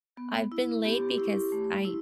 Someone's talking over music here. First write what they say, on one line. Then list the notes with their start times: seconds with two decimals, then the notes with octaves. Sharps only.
I've been late because I
0.17 B3
0.52 E4
0.85 B3 G4
1.18 E4
1.52 A3
1.85 E4